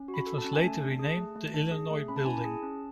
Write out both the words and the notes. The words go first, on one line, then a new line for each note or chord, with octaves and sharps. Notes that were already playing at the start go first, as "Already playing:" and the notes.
It was later renamed the Illinois Building.
Already playing: C#4
F#4
B5
A4
A5
C#4
G#5
A3 A5
D4
G#4
A3
A3
D4
G#4
A3
C#4 B5
A5
E4 G#5
A5
G#4
C#4